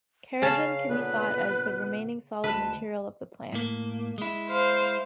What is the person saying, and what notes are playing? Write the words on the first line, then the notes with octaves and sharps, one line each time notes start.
Kerogen can be thought of as the remaining solid material of the plant.
C#3 C#4 F5 A5
A#2 D3 B3 B4
D2 G#3 B4 A5
A2 A#3
G#3 E4
C5 F5